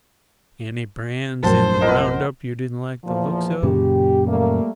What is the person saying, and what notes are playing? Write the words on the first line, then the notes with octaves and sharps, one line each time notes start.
"Any brands in the round-up you didn't like the looks of?"
A#1 F#2 F3 A3 A#4 C5 A5
B3 F4 A#4 D#5 F#5
E2 A#2 F3
F#2 A#2 C#3 G4
G3 A3 A#3